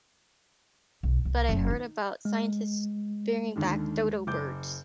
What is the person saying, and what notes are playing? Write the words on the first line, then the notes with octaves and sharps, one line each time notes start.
but I heard about scientists bringing back dodo birds.
B1
C2
F#1
D#4
G#3
D#2 D3 D#3
F#1 D6 G6